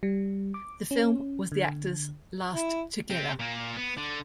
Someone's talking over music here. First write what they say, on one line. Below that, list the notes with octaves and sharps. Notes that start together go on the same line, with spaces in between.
The film was the actors' last together.
G3
D6
C#4
D3
E4
C4 G4
A#2 A#3
B3
D3